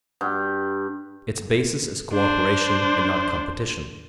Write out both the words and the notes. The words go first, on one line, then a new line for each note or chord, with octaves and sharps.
Its basis is co-operation and not competition.
G2
D4 C5